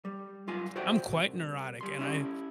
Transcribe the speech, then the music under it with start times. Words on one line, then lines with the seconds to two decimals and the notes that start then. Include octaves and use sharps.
I'm quite neurotic, and I
0.05 G3
0.47 F#2 F4 F5 G#5
0.76 F#4 C5 D5 E5 F#5 G5
1.12 C2
1.81 G3 C6
1.99 C#4 E4 G4 D5